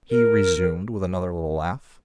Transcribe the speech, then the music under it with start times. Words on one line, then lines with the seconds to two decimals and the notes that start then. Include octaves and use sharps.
He resumed with another little laugh.
0.10 A#4